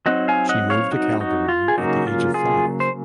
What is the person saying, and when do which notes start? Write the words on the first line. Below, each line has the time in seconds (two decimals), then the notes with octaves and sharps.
She moved to Calgary at the age of five.
0.06 F#3 C4 D#4 D#5 F#5
0.28 F5 G#5
0.49 D#5 F#5
0.70 C#5 F5
0.92 D#4 F#4
1.21 D#4 F#4
1.49 F4
1.68 G#4
1.78 C#3 F#3 A#3 D#4 F#4
2.07 F4
2.34 F4 G#4
2.80 C5